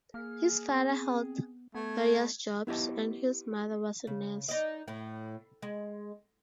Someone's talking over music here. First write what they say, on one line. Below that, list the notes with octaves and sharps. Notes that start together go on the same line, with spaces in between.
His father held various jobs, and his mother was a nurse.
A#3 G#4 F6
B3 C4
A3 B3 G#6
B3 E4 G4 D#5 A5
C#3
D#4 D5 D#5
A2
G#3